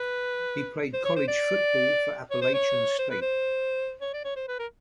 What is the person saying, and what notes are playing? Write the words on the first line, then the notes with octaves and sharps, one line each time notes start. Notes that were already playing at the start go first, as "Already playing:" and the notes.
He played college football for Appalachian State.
Already playing: B4
C5
C#5
C5
D5
C#5
C5
C#5
C5
B4
C5
C#5
D5
C#5
C5
B4
A#4